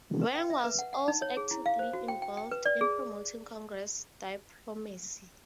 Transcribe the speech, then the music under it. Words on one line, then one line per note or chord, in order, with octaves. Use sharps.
Wang was also actively involved in promoting congress diplomacy.
B4
G5
E5
B4
F#5
F#5
D#4
C#5
G#4
E4
F5
C5
F#4
G5
G5
G5
B4
D5
G#4